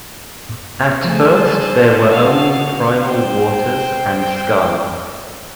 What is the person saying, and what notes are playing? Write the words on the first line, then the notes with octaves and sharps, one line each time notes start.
At first there were only primal waters and Sky.
F3 A3 G#4 C5 A5
F#4 F5
C5 G5